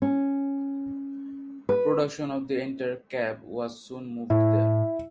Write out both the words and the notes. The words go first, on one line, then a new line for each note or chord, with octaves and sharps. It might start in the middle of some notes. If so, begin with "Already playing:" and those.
Production of the entire cab was soon moved there.
C#4
B4
A2 E4